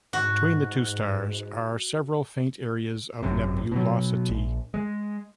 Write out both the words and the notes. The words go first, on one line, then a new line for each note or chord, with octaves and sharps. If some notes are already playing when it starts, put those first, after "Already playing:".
Between the two stars are several faint areas of nebulosity.
G#2 F#4
G#1 F#2 C3
B2 F#3
A#1
G#3